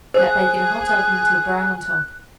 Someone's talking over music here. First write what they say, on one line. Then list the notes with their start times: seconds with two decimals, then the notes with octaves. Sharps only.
Let bake in a hot oven until brown on top.
0.14 G#4 C5 G#5 F#6